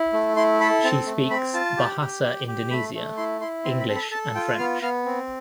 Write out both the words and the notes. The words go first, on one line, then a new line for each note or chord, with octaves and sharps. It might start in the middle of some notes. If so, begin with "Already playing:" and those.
She speaks Bahasa Indonesia, English and French.
Already playing: E4
A3
E4 C6
A4 B5
C4 A5
A3
C4 B5
F4 A5
G4
G4
G4
G4
A3 B5
A3
E4 C6
E4 C6
C4 C6
B5
A4
B5
A4 A5
F4 G5
B3 F5
B3 F5
C4